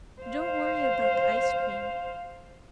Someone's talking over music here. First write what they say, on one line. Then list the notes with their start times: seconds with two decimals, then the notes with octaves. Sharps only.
Don't worry about the ice-cream.
0.22 C5 F5